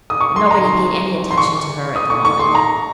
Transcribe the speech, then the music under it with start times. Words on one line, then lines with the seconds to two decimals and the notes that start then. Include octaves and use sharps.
But nobody paid any attention to her at the moment.
0.10 D#6
0.21 C#6
0.36 C6
0.51 A#5
0.65 C6
1.31 C6
1.38 C#6
1.96 D#6
2.10 C#6
2.25 C#6
2.39 C6
2.55 A#5